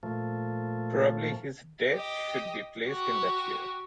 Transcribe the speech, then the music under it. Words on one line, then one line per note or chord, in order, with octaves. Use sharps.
Probably his death should be placed in that year.
A#2 F3 A3
G4 D#5
F#4 G4